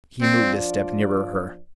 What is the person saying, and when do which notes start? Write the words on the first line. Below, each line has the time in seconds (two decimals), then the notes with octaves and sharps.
He moved a step nearer her.
0.21 F3 C4 D4 F4 D5